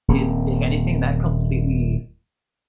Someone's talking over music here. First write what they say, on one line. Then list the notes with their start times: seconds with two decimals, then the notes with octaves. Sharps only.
it if anything, that completely
0.08 D#1 A#3 C4